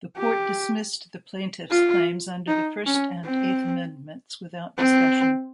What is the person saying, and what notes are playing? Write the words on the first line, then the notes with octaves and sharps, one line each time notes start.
The Court dismissed the plaintiffs' claims under the First and Eighth Amendments without discussion.
G4
F4
D#4
C#4
C4
C4